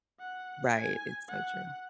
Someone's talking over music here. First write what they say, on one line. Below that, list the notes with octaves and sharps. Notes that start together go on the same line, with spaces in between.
Right, it's so true.
F#5
G#5
F#5